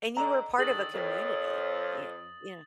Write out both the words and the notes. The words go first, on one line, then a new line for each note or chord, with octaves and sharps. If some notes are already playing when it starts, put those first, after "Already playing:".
And you were part of a community. Ye yeah.
D3 D#5 A#5
D3 D#3 G#4 D#6 A6 F#7
F2 A#4 C#5 G5